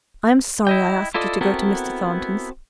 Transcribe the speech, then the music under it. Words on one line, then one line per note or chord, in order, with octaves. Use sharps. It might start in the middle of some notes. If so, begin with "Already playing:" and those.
'I am sorry I asked you to go to Mr. Thornton's.
E4 D#5 G5
E4 F4 A4 D5 D#5
B3 C4 E4 F#4 A4 A#4